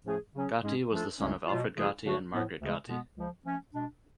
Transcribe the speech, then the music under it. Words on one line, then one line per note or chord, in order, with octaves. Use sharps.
Gatty was the son of Alfred Gatty and Margaret Gatty.
A2 F3 A3 C#4 G#4
C#3 F#3 C#4 G#4
G#2 G#3 C#4 G#4
F3 A3 D4 F4 A4
C#2 C#3 F#3 A3 C#4
B2 F#3 A3 F4
C#3 F3 A3 F4 G#4
D3 F#3 A3 D4 F#4
A2 F3 B3
D2 C#3 G#3
B2 G#3 B3
C#2 C#3 F3
F3 A3 C#4
B2 G#3 D4